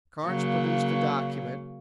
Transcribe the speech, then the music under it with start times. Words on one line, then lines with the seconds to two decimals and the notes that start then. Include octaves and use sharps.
Carnes produced the document.
0.24 C#3 F#3 A#3